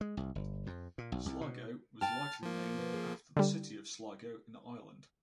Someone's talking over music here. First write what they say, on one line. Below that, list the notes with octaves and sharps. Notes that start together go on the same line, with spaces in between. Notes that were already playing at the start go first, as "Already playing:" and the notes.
Sligo was likely named after the city of Sligo in Ireland.
G#3
C2
G1
F2
A#2
B1
C2
B2
G5 A5 F6 A6
F3 A#3
B2
G#4
D3 G3